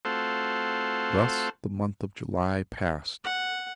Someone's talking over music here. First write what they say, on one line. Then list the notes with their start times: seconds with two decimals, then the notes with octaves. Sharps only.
Thus the month of July passed.
0.05 A3 C4 F4 F#4 A4 C5
3.24 F#5